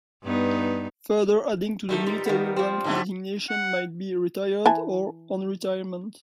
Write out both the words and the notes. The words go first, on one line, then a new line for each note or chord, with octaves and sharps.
Further adding to the military rank designation might be "retired" or "on retirement".
G2 B3 D#4
D3 D#3 G3 A3
A#2 E3 D#4
D#3 A#3 B3
F3 C4
G#2 D3 A3
F#5
E3 G#5 A5